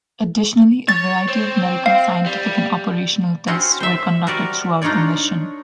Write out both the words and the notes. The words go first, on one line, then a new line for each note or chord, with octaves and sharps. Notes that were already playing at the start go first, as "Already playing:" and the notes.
Additionally, a variety of medical, scientific and operational tests were conducted throughout the mission.
C#5 A6
C4
F5
G3
C4 C#4 F#4 C5
C5 E5
G3 F#4 A#4 D5
D4 D#4 F4 C#5 D5